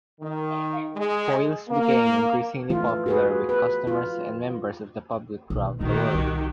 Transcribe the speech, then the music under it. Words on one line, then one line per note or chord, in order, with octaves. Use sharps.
Foyles became increasingly popular with customers and members of the public throughout the world.
D#3
G#3
A#3
E3 A3 F4
F#4 G#4 B4
B4
F4
B2 D#3
A#2 D3 D#3 F#4 G4
C2